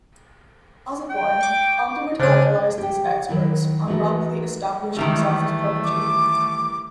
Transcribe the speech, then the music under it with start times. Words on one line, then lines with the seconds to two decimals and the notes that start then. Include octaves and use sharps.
As a boy, Underwood idolized these experts, and rapidly established himself as a prodigy.
1.10 G5
1.41 C#6 D6
2.20 C#3 D4 C5 C#5 D#7
2.78 G4 G5
3.29 D#3 F#3 E4
3.87 E3 A3 D#4 F#4 A4 A#4
4.97 D#3 E3 G3 A3
5.84 D6